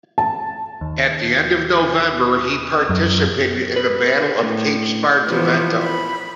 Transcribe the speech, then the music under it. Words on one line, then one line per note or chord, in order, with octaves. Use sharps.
At the end of November he participated in the battle of Cape Spartivento.
A5
D#2
F#2
B4
A2
E3 F3 B3
B5